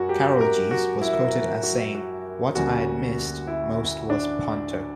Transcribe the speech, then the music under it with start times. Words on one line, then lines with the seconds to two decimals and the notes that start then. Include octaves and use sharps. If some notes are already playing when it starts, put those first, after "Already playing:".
Carolgees was quoted as saying "What I had missed most was panto".
Already playing: F#2 F#4 A#4
0.09 G4
0.41 A#4
0.71 F#4
1.02 E4
1.63 F#4
1.95 F#4
2.55 D2 D3 G3 A#3 C#4 F#4
3.47 E4
3.78 E4
4.10 D4